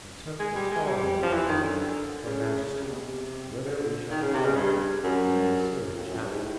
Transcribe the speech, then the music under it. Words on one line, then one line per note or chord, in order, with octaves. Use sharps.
They took the tall young man away to a magistrate, whither we shall follow him in an ensuing chapter.
G#3
G3
G#3
G3
F3
E3
D#3
D3
C#3
C#3
C3
B2
C3
D3
D#3
C#3
C3
C#3
G2
F#2
F2
F#2
G2
G#2
A2